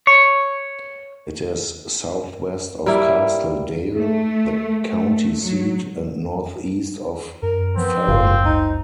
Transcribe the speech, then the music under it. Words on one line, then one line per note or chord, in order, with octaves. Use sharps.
It is southwest of Castle Dale, the county seat, and northeast of Ferron.
C#5
G3 A#3 E4
A3
A3
F#3
F#2 A#4
F3 B3 C4
F#1 G#2 F4
C#2 D#4